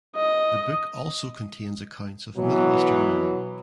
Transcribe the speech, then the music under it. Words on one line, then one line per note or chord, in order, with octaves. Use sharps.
The book also contains accounts of middle eastern women.
D#5
B2 E3 F#3